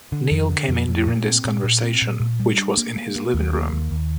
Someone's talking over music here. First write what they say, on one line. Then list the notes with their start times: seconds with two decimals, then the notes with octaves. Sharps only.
Neil came in during this conversation, which was in his living room.
0.12 D3
0.31 F2
0.50 D3
0.69 F2
0.88 F2
1.07 A#2
1.26 C4
1.45 A#2
1.64 A#2
1.83 C4
2.02 A#2
2.20 A#2
2.40 G3
2.58 D4
2.78 A#3
2.96 A#3
3.16 A#3
3.34 D#2
3.53 A#3
3.72 D#2
3.91 D#2